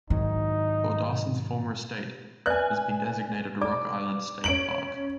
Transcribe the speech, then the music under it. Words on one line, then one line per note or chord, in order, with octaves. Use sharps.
Thordarson's former estate has been designated Rock Island State Park.
G#2 D#3 F#3 D#4 E4
B4 D5 E5 G#5 F#6
D5 D6
C#4 D7 F#7